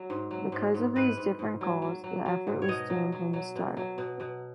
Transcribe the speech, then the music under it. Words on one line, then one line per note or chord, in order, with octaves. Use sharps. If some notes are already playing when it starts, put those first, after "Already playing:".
Because of these different goals, the effort was doomed from the start.
Already playing: F#3
G#2
F#3
G#2
G#2
G#2 B4
G#2
G#2
F#3
F#3
F#3
F#3
G#2
C#5
B2 D#5
F#3
F#3
F#3
B2
F#3
B2
B2